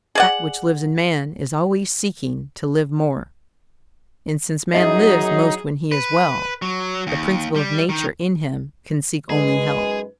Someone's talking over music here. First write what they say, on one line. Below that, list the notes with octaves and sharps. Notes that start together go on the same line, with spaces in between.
That which lives in man is always seeking to live more; and since man lives most when he is well, the Principle of Nature in him can seek only health.
G#4 D5 F#5
F#2 F#3 D#4 G#4 D#5 E5
B4
F#3
D#2
G3
D#3
F#2 G#3 D#4 G#4 B4